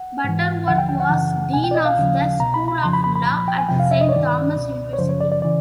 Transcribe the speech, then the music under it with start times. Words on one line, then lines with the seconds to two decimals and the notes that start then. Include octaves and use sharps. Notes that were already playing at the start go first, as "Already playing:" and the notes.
Butterworth was dean of the School of Law at Saint Thomas University.
Already playing: F#5
0.24 G#2 E3
0.67 D#2 D3 F3 F#5
0.78 G5
0.89 G5
1.00 F#5
1.10 F#2 C#3 E3
1.53 C2 B2 G#5
1.64 G5
1.71 D5
1.75 D#5
1.85 F5
1.97 D#2 C#3 F3
2.40 C2 B2 A#5
2.54 B5
2.68 B5
2.83 F2 C#3 F3 C6
2.93 B5
3.04 B5
3.15 B5
3.26 C2 A#2 F3 B5
3.37 B5
3.48 G5
3.58 G#5
3.69 F2 C3 F3 G5
3.79 F5
3.91 E5
4.01 D#5
4.09 C#5
4.12 G2 D#3 D5
4.55 C#2 B2
4.93 C#5
4.99 F#2 C#3 F3 C5
5.09 C#5
5.21 D5
5.32 D5
5.42 C#3 E3 D5